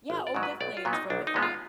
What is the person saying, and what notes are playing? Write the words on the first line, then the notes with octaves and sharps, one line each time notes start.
Yeah, oh, definitely, it's from the front.
G#1
D5
G#2 D#3 F#3
B4
B1 D5
F4
A#2 F#3 B3
D#4
B1 D4
D#4
A#2 F3 G#3 B3
F4